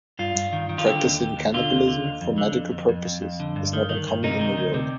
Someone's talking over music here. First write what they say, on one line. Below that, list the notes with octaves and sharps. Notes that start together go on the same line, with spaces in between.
Practising cannibalism for medical purposes is not uncommon in the world.
G2 F4
G2
D#3
D#3
F4
D3 G4
D#2
D#2
D#2
D3 F4
D#2
D3
D#2
F2
D3
F2
F2
F2
F2
F2
D3
G2
D#3
D#3
G2
C3 D#4
D#3
D2
C3